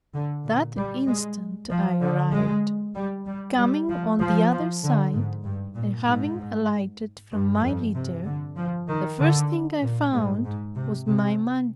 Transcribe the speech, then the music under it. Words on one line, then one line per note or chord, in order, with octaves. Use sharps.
That instant I arrived, coming on the other side, and having alighted from my litter, the first thing I found was my money.
D3
A#2
G3
G#3
F3
D3
G#3
G3
G3
G3
F3
F3
F3
D3
G#2
G2
A#2
G#2
G2
F2
C3
D3
F3
D#3
D3
A#2
G#2
G#2
C3
C3